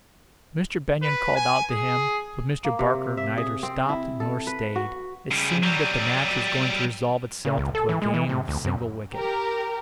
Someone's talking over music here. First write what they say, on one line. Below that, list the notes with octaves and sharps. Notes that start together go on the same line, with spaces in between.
Mr. Benyon called out to him, but Mr. Barker neither stopped nor stayed. It seemed that the match was going to resolve itself into a game of single wicket.
B4
G#5
G#4
A#3
C3
E5
G#4
C4
E4
A4
B4
F#4
C#3 G3
F#3 G3
C#3
C#2
A4
E3
G#3
E3
C3
D2
F#2
G4 A#4